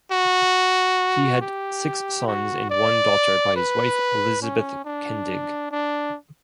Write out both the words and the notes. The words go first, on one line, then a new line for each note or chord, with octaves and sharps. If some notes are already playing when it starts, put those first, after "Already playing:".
He had six sons and one daughter by his wife Elizabeth Kendig.
F#4
G4
F#4
D5
B4
C#4
D4
D4